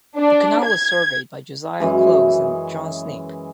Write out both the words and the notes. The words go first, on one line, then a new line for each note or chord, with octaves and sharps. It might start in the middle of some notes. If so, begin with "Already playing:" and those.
The canal was surveyed by Josiah Clowes and John Snape.
D4
G#6
F#2 E3 G#3